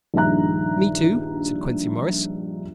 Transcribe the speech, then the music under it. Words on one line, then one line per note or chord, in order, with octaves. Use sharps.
"Me too?" said Quincey Morris.
A#1 G2 D#3 E5 A#5 F#6